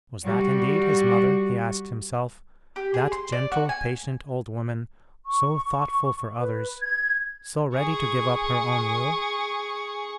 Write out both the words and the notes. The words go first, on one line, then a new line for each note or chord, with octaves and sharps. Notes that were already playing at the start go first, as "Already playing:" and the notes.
Was that indeed his mother, he asked himself, that gentle, patient old woman, so thoughtful for others, so ready to give up her own will?
G3 F#4
G4
G#4
C6
D5
F#4
G#5
C#6
B4
G#6
G#4 C#6